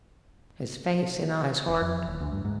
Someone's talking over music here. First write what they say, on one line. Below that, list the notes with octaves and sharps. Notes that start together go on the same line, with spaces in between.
His face and eyes hardened.
E1
F2
D#1
D2
G2
G#2